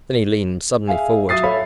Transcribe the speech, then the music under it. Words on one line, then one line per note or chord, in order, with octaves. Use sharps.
Then he leaned suddenly forward.
G#4 E5 F5 G#5
F#3 E5 D#6 A6 C7
A4 C#5 E5 F5 B5